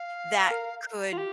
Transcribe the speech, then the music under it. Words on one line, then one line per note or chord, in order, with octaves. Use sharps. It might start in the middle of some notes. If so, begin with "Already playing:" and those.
that could
Already playing: F5
A#4
F4
G4